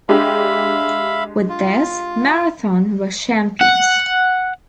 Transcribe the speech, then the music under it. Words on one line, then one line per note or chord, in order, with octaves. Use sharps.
With this, Marathon were champions.
G#3 D4 G4 E5 F5 B5
F4
F#5